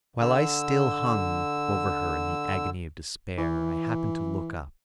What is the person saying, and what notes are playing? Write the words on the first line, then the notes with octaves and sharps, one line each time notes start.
While I still hung over her in the agony of despair, I happened to look up.
D3 E6
E3